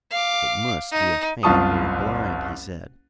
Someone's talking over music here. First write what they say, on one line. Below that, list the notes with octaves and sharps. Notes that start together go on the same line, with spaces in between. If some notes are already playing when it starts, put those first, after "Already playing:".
"It must be a feint or a blind," he said.
F5 D6
D#4
F#1 C2 F4 A5 C#6 D#6